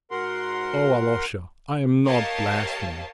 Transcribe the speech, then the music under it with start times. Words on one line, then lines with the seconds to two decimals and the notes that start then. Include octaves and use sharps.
Oh, Alyosha, I am not blaspheming!
0.11 G#2 F#4 A#4 F#5 C6
2.06 G4 A#4 C#5 D#5 F5 A5